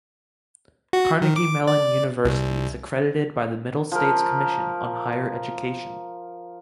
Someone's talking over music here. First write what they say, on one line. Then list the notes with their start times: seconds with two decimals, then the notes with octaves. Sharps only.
Carnegie Mellon University is accredited by the Middle States Commission on Higher Education.
0.93 F#4
1.22 D#3
1.36 D6
1.67 D5
2.25 C2
3.92 F3 A#4